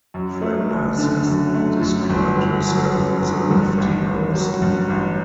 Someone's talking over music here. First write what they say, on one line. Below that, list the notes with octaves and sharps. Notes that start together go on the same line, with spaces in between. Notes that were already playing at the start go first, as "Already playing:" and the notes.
Flanders has described herself as a lefty person.
F#2
A3
F#1
D3
F#2
A3
F#2
G1
G1
F#3
F#2
G1
G2
A1
A1
F#3
G2
A1